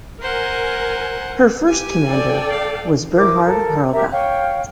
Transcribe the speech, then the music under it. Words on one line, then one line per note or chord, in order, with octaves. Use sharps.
Her first commander was Bernhard Rogge.
A#4 C5 F#5 G#5
G4 G#5
A4 D5 G5
F5
E4 A#4 C5 D6
A4 A#4 A5 A#5
G4 A#4 E5 A#5
C#5 F5 G5